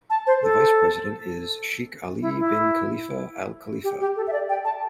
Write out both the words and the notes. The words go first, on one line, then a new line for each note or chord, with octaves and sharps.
The Vice-President is Sheikh Ali Bin Khalifa Al-Khalifa.
A5
C5
A4
E4
E4
G4
G4
A4
E5
D5
G5
A5